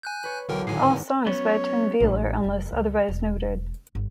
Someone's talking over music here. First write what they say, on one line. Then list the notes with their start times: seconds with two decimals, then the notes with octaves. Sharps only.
All songs by Tim Wheeler unless otherwise noted.
0.03 G#5 F#6 G6
0.24 B4 C#5
0.49 B1 E2 B2 D3 A#4 G5
0.67 G#1 A2 D3 G#4 G#5 C7
1.26 F#3 B3 C#4 C#5
2.00 A1
2.44 F1
2.72 C#2
3.08 E1
3.95 G1